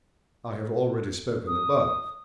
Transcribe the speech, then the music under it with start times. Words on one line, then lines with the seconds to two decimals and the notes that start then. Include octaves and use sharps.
I have already spoken above.
1.47 D#6